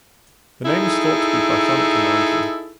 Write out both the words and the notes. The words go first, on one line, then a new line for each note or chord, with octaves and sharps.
The name is thought to be Brythonic in origin.
D#4 E4 G#4 A4